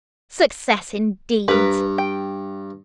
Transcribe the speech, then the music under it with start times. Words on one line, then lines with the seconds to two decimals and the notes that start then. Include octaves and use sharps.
Success indeed!
1.48 G2 A#4 B4
1.98 G5